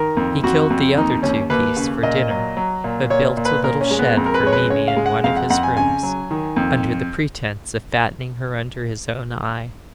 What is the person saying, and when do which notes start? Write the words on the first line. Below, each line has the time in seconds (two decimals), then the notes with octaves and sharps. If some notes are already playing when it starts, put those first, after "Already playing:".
He killed the other two geese for dinner, but built a little shed for Mimi in one of his rooms, under the pretence of fattening her under his own eye.
Already playing: D#3 A#4
0.17 F2
0.43 F2 F#4
0.70 F2
0.97 D#2 D#4
1.23 D#2 C#4
1.50 D#2 B4
1.77 C#3
2.03 A#2 D#5
2.31 F#3
2.57 F#3
2.84 A#2
3.10 A#2 C#5
3.37 A#2
3.45 B4
3.63 A#2 A#4
3.81 C#4
3.91 G#3
3.99 B3
4.17 F2
4.26 A#4
4.34 B4
4.43 G#3 C#5
4.53 B4
4.70 C#3 C#5
4.88 F5
4.96 G#3
5.06 F#5
5.24 F2 F5
5.36 F#5
5.50 F2 F#5
5.63 G#5
5.76 C#3 G#5
6.03 F#3
6.31 D#3
6.56 F2